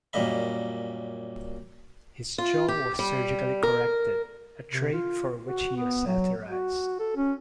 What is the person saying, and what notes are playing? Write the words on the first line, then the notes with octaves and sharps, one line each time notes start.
His jaw was surgically corrected, a trait for which he was satirized.
F#2 A#2 G3 A#3 D#5 B5
F4
G4
G3
A#4
C3
F4
F#4
B3
F#3
F#4
A4
C#4